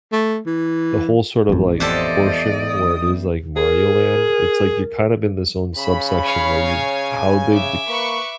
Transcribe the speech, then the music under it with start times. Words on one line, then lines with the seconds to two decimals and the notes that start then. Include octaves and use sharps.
the whole sort of, like, portion where it is, like, Mario Land, it's like you're kind of in this own subsection where you how they've dec
0.12 A3
0.46 E3
1.49 A1 F2
1.80 E2 G4 A4 C5 D5 D#5
2.63 D#6
3.56 G#4 A#4
5.77 C#3 B5
6.24 C#5 F5
6.65 G#5
7.51 E5 D6
7.89 A#3 B4 C#6